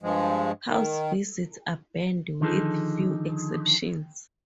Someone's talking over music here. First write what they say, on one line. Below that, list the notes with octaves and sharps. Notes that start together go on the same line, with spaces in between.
House visits are banned with few exceptions.
G2 F3 G#3
D#3
D3 D#3 F3 D#4 G#4 A4